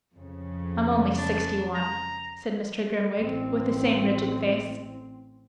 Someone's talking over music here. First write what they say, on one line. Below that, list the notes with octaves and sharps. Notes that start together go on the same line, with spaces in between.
'I'm only sixty-one,' said Mr. Grimwig, with the same rigid face.
F2 C#3
D4
A#5
A1 C4